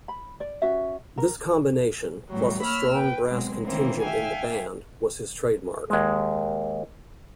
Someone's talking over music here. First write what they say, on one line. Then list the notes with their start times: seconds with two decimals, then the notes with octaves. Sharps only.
This combination, plus a strong brass contingent in the band was his trademark.
0.08 B5
0.40 D5
0.62 C#4 F#4 E5
1.18 A#4
2.29 E2 A2 F#3 G3
2.62 A#3 C#5 B5 E6 F6
2.93 B4 G5
3.29 B2 F#3 G#3 C4
3.63 D2 D#3 E3 A#3 C4 C#4
4.02 E5 F5 G5 G#5
5.90 D#2 G#3